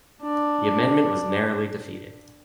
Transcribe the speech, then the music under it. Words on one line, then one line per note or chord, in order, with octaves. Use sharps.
The amendment was narrowly defeated.
D4